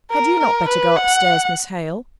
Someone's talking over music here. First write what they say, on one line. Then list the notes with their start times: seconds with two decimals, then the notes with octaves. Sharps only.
'Had you not better go upstairs, Miss Hale?'
0.11 A#4
0.39 A#4
0.68 B4
0.96 F#5